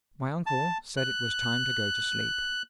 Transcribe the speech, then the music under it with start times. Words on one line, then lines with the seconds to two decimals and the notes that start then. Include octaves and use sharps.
My uncle said it was time to go to sleep.
0.46 A5
0.97 F#6